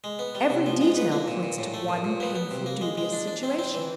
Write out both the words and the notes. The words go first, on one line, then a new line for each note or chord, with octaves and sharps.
Every detail points to one painful, dubious situation.
G#3
B3
G3
C3
F3
G#3
B4
A#3
A#2
A#2
A2
A3
A#2
A#2
B3
B3
C3
A#3
G#3
G#3
D4
D4
C4
C4
E3